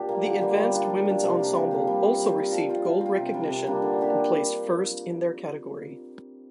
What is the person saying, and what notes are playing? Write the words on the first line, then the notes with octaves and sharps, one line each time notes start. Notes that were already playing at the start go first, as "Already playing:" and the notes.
The Advanced Women's Ensemble also received gold recognition and placed first in their category.
Already playing: A#2 D4 G4
G3 A#3
D3
G3 A#3
G3
D4 F4
G3
D4 F4
C3
F3 A#3 G4
C3
F3 A#3 G4
G3
C4 F4
G3
C4 F4
F3
C4 F4
F3
C4
F4
C3
G3 A#3 D4
C3
G3 A#3 D4
D3
A#3 D4 G4